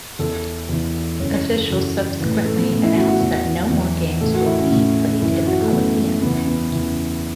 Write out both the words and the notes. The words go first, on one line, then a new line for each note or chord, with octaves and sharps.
Officials subsequently announced that no more games will be played in the Coliseum.
E2 E3 A4
E2 E3
F#2 C#3 E3 C#5
C#5
A4
F#2 C#3 E3 F#4
A2 E3 B4
B4
A3
B3
A2 E3 C#4
E4
F#4
F#4
E2 E3
E2 E3
A2 E3 A4
F#4
E4
C#4
A2 E3
F#2 E3 E4
F#4
A3
F#2 E3 B3
E2 C#3 E3 B3
B3
E2 C#3 E3